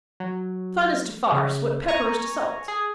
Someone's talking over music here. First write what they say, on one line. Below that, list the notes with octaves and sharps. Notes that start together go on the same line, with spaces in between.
Fun is to farce what pepper is to salt.
F#3
C#3
G#5 A#5 C#6
G#4